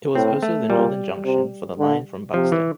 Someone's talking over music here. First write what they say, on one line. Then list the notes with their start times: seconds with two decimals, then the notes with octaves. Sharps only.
It was also the northern junction for the line from Buxton.
0.15 A2 C4
0.43 A3
0.69 A#2 G3
1.25 C3
1.79 D3
2.34 C3 F3
2.52 E3